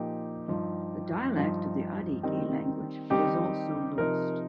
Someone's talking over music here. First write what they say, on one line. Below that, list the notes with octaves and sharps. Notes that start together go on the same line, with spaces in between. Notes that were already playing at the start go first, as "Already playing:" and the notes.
The dialect of the Adyghe language was also lost.
Already playing: A#2 F3 A#3 D#4 G4
G2 F3 D#4
G2 F3 D#4
D#3 G3 C4 D#4
D#3 G3 C4 D#4 G4
C3 F3 D#4 A#4